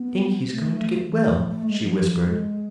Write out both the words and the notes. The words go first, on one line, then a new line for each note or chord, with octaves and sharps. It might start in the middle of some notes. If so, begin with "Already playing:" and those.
"I think he's going to get well," she whispered.
Already playing: B3
A3
E3
G#3
F3
A3
G#3
F3
F3
F3
G#3